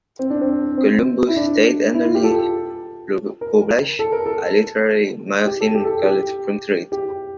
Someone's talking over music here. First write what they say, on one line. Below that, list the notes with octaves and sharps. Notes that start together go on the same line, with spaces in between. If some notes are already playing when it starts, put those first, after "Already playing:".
Columbus State annually publishes a literary magazine called "Spring Street".
C4
D4
C4
C4
E4
D4
E4
F4
G4
A4
A#4
A4
A#4
A4
G4
A4
G4
A4
G4
G4